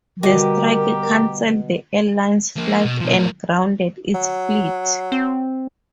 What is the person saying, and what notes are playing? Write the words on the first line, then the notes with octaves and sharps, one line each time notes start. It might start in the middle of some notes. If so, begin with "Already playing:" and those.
The strike cancelled the airline's flights and grounded its fleet.
B2 D3 G3 F#4 G4 A#4
F3 A#3
B2
B2 F3
A2 A#4
F#3
C4